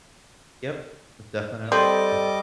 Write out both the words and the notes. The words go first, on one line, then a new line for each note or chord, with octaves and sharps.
Yep. Most definitely am.
G3 C4 A4 C5 D5 D#5 D6